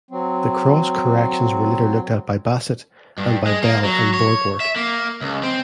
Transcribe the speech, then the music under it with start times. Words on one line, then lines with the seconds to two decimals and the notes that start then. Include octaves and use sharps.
The Cross Corrections were later looked at by Bassett and by Bell and Borgwardt.
0.11 F#3 C4
3.18 G2
3.47 G#3
3.63 A#3
3.84 F#3
4.14 C#5
4.60 E5
4.76 A#3
5.21 C#2
5.43 C4